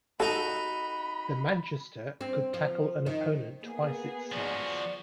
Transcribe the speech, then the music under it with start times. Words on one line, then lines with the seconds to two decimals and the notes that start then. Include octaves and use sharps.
The Manchester could tackle an opponent twice its size.
0.20 D#4 F#4 A4 B5
2.21 C4
2.54 F3
3.06 D#3
3.63 A#3 B3 G#4
4.32 F3 F#4 D5